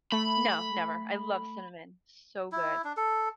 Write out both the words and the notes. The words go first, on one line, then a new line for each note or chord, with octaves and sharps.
No, never, I love cinnamon. So good.
A3 B5
E4
D4
A4